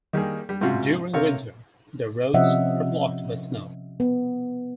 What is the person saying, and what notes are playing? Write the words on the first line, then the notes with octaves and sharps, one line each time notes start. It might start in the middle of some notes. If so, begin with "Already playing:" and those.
During winter, the roads are blocked by snow.
D#3 G3 A#3 G#4
G3
G#2 C3 C#4 F4 F#4
C3 A4 A#4 C#5 F5
C3 F3 C#4 D#5 E5 F#5
B3